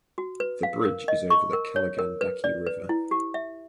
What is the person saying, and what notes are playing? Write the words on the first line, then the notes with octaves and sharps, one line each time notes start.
The bridge is over the Kaligandaki river.
F#4
B4
F5
A#4
D#5
C#6
A#4
C#5
A#4
B4
D5
B4
E4
G4
E5